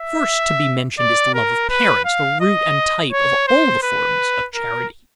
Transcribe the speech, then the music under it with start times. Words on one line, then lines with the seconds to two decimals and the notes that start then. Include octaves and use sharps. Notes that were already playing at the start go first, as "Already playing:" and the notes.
First to be mentioned is the love of parents, the root and type of all the forms of charity.
Already playing: E5
0.99 D5
1.34 A#4
1.69 B4
2.05 F5
2.41 D#5
3.12 C#5
3.48 C5
3.83 B4
4.55 A#4